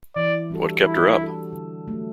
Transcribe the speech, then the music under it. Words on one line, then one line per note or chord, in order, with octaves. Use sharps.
What kept her up?
E3 D5
G3 D4 F#4 A4
E3 E4
G3 D4 F#4 A4
D3
F#3 A3